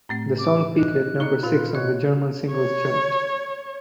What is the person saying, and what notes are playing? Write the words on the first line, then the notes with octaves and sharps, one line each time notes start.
The song peaked at number six on the German Singles Chart.
A2 A3 C4
D6
D#5 F#6
D#4 G#4 D5 C#6
A#2 F4 F#4 B4
C#5 D#5 F#6
C#5